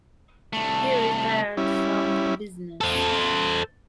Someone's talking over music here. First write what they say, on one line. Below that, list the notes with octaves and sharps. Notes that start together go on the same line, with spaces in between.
He retired from the business.
C2 A3
G3 C#4 E4
A4 C5